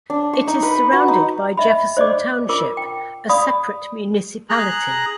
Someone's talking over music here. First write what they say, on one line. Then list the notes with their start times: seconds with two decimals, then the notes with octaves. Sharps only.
It is surrounded by Jefferson Township, a separate municipality.
0.10 D4
0.33 C#6
0.48 D#4
0.63 B4
0.93 F#4
1.08 D#4
1.57 D#5 E5 B5
1.97 C5 D5 D#5 D6
2.49 F4 A#4 D6
2.77 G5
3.29 D5 F5 B5 D#6
4.50 G#4 A#5 F#6